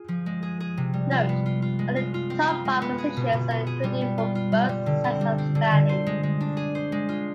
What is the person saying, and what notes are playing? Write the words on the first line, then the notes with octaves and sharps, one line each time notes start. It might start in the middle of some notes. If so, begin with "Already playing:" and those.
Note, only the top five positions are included for both sets of standings.
Already playing: F4 G#4
F3
G#3
G#4
G#4
C3
G3
F4
B3
F4
F4
G#3
F4
F4
C4
F4
G#3
B3
G#4
B2
B2
B3
G#4
G3
B3
F4
F4
G3
G3
D3
C4
G3
C4
D3
D3
C5
G#3
G#3
D4
G#4
C5
G#3
F4